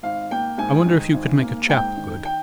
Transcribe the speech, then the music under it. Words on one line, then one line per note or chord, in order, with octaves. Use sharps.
"I wonder if you could make a chap good?"
G#1 F5
A#3 G5
G#2 G#5
D#3
G#1
A#3
G#2 G5
D#3
G5